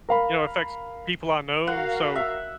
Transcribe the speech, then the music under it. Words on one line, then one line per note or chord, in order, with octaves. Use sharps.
you know, it affects people I know. So,
A#4 F5 B5
F#4 A#4 F5 F#5
E5